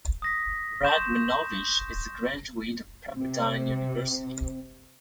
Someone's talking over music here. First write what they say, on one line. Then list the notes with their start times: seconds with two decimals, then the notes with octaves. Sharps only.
Radmanovich is a graduate of Pepperdine University.
0.22 D#6 A#6 B6
0.85 C6 C#6 G6 E7
3.16 C3 C4